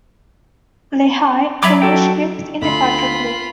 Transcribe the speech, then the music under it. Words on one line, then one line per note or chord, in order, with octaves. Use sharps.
Lehigh finished fifth in the Patriot League.
F#3 E5 B5 D6
F#4 A4 G5
D2 F4 B5